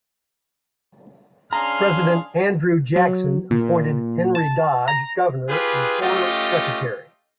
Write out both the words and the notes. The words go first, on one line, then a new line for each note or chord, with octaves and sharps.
President Andrew Jackson appointed Henry Dodge Governor and Horner Secretary.
C#4 D4 G#4 F5 A#5 C6 F6
F#3
A#2
A5
A#5
F4 G4 G#4 B4
A3 C#4 F4 G4 D#5